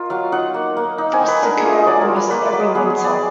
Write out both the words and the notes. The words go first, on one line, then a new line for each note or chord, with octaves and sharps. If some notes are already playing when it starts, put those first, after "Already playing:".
Frosts occur almost every winter.
Already playing: F4 A#4 D#5
F#3 F5
D#4 F#5
A#3
A#3
D#4
G#5
D#4
B4
D4 A#4
G#4
F4
D#5
F#3 D5
A#4
F4
B4
A#3 B4
D5
F#3
D#5
B3 G#4
G#4
B3
D5